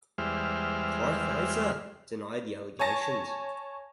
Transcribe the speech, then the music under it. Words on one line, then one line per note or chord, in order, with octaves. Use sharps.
Kartheiser denied the allegations.
E2 G3 G#3 C5 E5 F6
C#5 G#5 A5 A#6